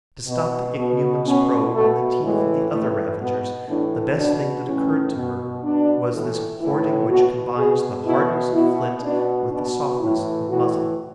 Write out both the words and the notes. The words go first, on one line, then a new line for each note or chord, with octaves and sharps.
To stop the Ichneumon's probe and the teeth of the other ravagers, the best thing that occurred to her was this hoarding which combines the hardness of flint with the softness of muslin.
B2
B2
B2 C#4
B2 A3
A2 E3 G#3
A2 E3 A3
B2 B3
A2 E3 D4
B2 D4
A2 E3 C#4
B2
B2 D4
A2 E3
A2 E3 E4
B2 F#4
B2 G#4
B2 E4
B2 E4
B2 D4
B2 D4
A2 E3 E4
A2 E3 F#4